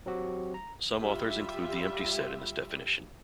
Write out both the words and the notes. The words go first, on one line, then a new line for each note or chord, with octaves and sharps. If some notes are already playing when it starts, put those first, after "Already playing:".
Some authors include the empty set in this definition.
F#3 C4 F#4 G4
A#5
G3 F4 E5